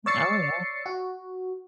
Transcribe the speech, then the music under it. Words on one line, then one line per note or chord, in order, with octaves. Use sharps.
Oh, yeah.
C#5 D5 E6 A6 C7 C#7
F#4